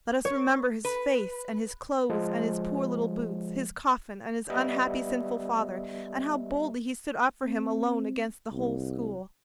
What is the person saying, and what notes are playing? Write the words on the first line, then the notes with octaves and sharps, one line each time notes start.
"Let us remember his face and his clothes and his poor little boots, his coffin and his unhappy, sinful father, and how boldly he stood up for him alone against the whole school."
C#5
B4
F3 G#3
G3 B3 D#5 E5
C4
C2